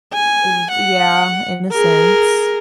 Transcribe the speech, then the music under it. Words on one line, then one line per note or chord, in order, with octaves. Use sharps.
th yeah, in a sense.
G#5
F#5
G#4 A#4